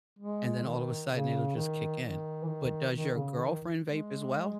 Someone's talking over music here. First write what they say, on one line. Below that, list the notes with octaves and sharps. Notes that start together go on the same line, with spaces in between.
and then all of a sudden it'll just kick in. But does your girlfriend vape as well?
G#3
D#3
C#3
D#3
D#3
E3
D#3
D#3
C#3
D#3
G#3